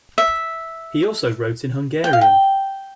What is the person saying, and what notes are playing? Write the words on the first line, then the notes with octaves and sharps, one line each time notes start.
He also wrote in Hungarian.
E5
G5
F5
G5